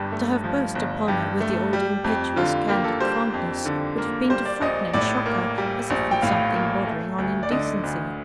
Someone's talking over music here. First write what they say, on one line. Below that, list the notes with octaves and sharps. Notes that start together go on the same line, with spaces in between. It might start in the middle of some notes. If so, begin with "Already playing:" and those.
To have burst upon her with the old impetuous, candid fondness would have been to frighten and shock her as if with something bordering on indecency.
Already playing: G1 G2 G4
A3
F3
G1
G2 G4
A3
G3
F2
D3 F4
A#3 G4
A4
G3 C5
F2
D3
A#3
G3 C5
D5
A#1 D#5
A2 D5
A#3
G3
A#1
G5
A2 F5
A#3
A3
D2
D5
D3 D#5
D2